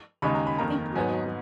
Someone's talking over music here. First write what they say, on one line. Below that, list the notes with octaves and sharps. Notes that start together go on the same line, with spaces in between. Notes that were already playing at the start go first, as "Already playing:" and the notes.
Thank you.
D#2 C#3 G#3 D#4 B5
A#5
B5
F2 D#3 A#3 A#5
G#2 F#3 B3 D#4 G#5